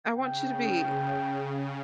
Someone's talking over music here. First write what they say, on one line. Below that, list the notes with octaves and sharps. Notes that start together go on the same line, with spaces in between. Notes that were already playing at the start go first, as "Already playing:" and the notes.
I want you to be,
C#3 G5